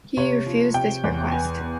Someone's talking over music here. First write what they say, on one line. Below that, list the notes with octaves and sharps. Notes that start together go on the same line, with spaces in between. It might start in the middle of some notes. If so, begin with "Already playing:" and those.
He refused this request.
C3 C#5
F3
C3 G5
E2
B3 G#5
B3